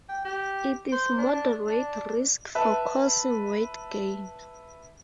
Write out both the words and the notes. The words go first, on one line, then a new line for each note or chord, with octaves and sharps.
It is moderate risk for causing weight gain.
G5
G4
C5
D4
D4
B4 E5 A5